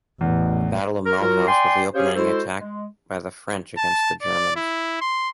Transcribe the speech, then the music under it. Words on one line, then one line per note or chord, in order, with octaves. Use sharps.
The Battle of Mulhouse was the opening attack by the French against the Germans.
A1 E2
A#4
F#3 F4 F#4 A#4
D5 G5 G#5 C6
C#4 G4 G#4 C5 C#5 F5
G#3 E4 F#4 A4 C5
G#3
A5
D5
E4
C6